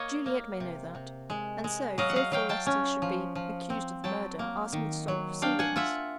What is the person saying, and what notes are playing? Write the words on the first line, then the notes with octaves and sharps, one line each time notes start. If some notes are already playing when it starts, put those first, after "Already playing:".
Juliet may know that, and so, fearful lest he should be accused of the murder, asked me to stop proceedings.
Already playing: A#3 C#5 D#5
A#3
C3
C3
G#3
G#3
F#3 D#5 F5
F#5
D#5 F5
F#3 F5 G5
G5 A5
C#4
F3
F3
C4
F#3 G5 A5
A#3
D#3
F#3
D4 F5 G5
F#5 G#5
F4 E5 F#5